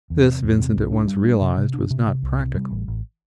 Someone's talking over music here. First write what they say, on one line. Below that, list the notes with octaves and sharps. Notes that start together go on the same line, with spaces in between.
This, Vincent at once realized, was not practical.
E2
C3
E2
C3
C2
D4
G3
D4
C3
C3
D4
C3
C3
C2
C3
G3
A1
A1